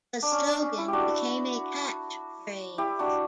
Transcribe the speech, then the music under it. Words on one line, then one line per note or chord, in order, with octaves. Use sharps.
The slogan became a catch phrase.
D4
C#4
D4
C#4
E4
G4
D4 F#4
E4 G4
D4 F#4